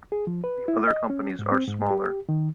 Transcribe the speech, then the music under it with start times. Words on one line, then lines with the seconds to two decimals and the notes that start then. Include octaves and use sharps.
The other companies are smaller.
0.12 G#4
0.27 F3
0.44 B4
0.68 E4
0.87 D#5
1.10 C#4
1.39 G#2
1.52 C4
1.67 G#2
1.90 G4
2.29 D#3